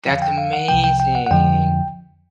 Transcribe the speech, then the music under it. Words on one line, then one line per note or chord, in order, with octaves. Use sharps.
That's amazing.
F2 D3 F3 F5
G5
F5
F#5
C2 C3 F3 G5
G5
G5
F#5
F#5
F2 D3 F3 G5